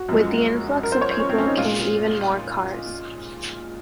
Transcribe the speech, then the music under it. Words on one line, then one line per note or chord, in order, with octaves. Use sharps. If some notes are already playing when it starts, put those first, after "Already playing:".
With the influx of people came even more cars.
Already playing: F#4
F#2 F3 G#3
A#4
C5
C#5
C5
C#4
C4
C#4
D#4
A#2 G#3 F4